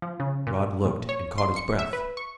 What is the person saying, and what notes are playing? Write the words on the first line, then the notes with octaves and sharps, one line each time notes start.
Rod looked, and caught his breath.
F3
C#3
A#2
A#2
C#5
C6
C#7
E5
B4
C#6